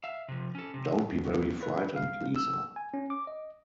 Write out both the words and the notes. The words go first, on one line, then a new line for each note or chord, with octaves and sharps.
Don’t be very frightened, Lisa.
E5 F5
C3 F3
C#4 A4
C3
E2
B4
F5
E6
G#5
C#4
D6
D#5